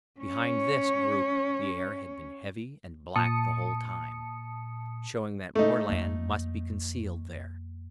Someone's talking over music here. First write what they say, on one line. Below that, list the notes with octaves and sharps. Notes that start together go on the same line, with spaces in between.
Behind this group the air had been heavy and black the whole time, showing that more land must be concealed there.
C#4 C#5
A#2 A5 D#6 C#7
A3 D#4
F2 A#3